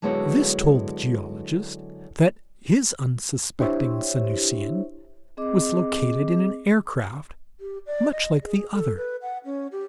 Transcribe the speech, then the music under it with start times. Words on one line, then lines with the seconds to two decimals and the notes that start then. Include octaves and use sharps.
This told the geologist that his unsuspecting Sanusian was located in an aircraft much like the other.
0.02 D3 F#3 G#3 B3 E4 C#5
3.59 D4 E4 G4 C5 C#5 E5
5.37 C4 G#4 D#5 D6
7.60 G4
7.86 D5
8.12 D#5
8.43 G#4
8.73 A4
8.97 B4
9.22 F#5
9.45 C#4
9.72 G4